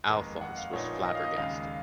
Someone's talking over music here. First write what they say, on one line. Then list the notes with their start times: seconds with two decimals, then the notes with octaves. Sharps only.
Alfons was flabbergasted.
0.09 F1 D#2 D#3 G#3 B3 A#5
0.41 F#5
0.57 F5
0.73 A#1 A#2 F3 B3 D#4 C#5
1.05 D#5
1.15 F5
1.24 D#5
1.37 D#2 C#3 G#3 F5